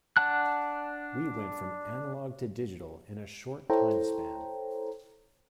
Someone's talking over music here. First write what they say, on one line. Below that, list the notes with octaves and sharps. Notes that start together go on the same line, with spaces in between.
We went from analogue to digital in a short timespan.
D4 F#5 A5 F#6
E4 A4 C5 C#5 G5 A#5